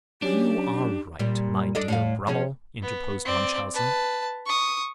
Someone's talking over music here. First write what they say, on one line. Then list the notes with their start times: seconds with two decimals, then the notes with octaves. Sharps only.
"You are right, my dear Brummel," interposed Munchausen.
0.22 F#3 C#4 D4 G4
1.19 A#2 G3
1.75 D4 A4 D#5
1.88 A2 F5
2.27 F3 C#4 G#4
2.82 B3
3.25 C4 D5
3.74 B4 A5
4.46 C#6 D#6